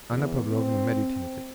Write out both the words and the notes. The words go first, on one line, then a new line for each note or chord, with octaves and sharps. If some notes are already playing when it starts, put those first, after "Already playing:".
Anna Pavlovna meditated.
E2
C4